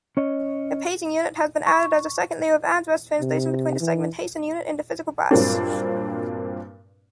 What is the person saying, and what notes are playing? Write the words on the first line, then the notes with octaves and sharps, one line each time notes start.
A paging unit has been added as a second layer of address translation between the segmentation unit and the physical bus.
C#4 C#5 D#5
C#6
C3
E3
G2 A#2 F#3 A#3 C4 D4